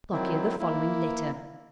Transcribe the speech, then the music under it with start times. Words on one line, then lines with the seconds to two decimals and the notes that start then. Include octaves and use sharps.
Lockyer the following letter.
0.12 D#3 F#3 C4 E4
0.59 A#3 E4